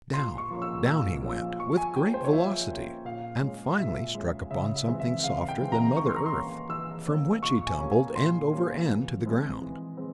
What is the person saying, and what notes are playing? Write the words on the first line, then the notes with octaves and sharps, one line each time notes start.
Down--down he went, with great velocity, and finally struck upon something softer than mother earth, from which he tumbled end over end to the ground.
A#2 C6
C#6
F3 A#3 C#4
E6
A#2 E6
F3 A#3 C#4
F3 C#6
G#5
A#3 C#4 G5
C5
C#5
F3 E5
A#3 C#4
A#2 F5
G#3 C#4
A#2 E5
G#3 C#4
C#3 E5
E5
E3 G#3 C4
E5
C#3 F5
G5
E3 G#3 C4
A#5
E3 C#6
C6
A#5
C6
A#3 C#4
E3 E6
A#3 C#4
A#2 C#6
G#5
G3 A#3 C#4
G#5
A#2 C6
G3 A#3 C#4
E3
G#3 C4
E3
G#3 C4